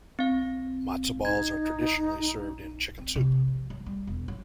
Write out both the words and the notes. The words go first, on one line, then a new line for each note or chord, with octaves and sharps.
Matzah balls are traditionally served in chicken soup.
C4 F5
D#4 G#6
C4
C3
F3
F#3
G3
E1
F#3